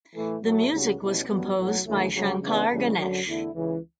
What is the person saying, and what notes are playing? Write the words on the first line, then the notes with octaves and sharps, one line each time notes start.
The music was composed by Shankar–Ganesh.
A2 E3 A3
A2 F#3 A3 E4 A4
C#2 C#3 G3 C#4 F#4
B1 B2 G3 C#4 E4
A1 G2 F#3 B3
B1 A2 F#3
D2 C#3 E3 A3
D2 C#3 F#3
C#3 E3 B3 D4
C#2 C#3 E3 G3 C#4
F#2 D3 F#3
E2 D3 A3 E4
C#2 C#3 E3